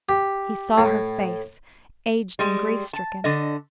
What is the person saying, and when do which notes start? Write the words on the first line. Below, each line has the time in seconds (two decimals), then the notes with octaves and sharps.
He saw her face, aged and grief-stricken.
0.09 G4
0.78 A2
2.39 G3 G#3
2.93 A5
3.24 D3 D#5